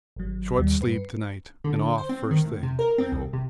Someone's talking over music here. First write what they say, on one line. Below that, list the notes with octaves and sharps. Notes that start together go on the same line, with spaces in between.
Short sleep to-night and off first thing, I hope.
G#1 F#3
D#2 G3
G2 B4 C7 C#7
D3
C5
C4
D#3
A2
C3
A#4
C4
C2
C3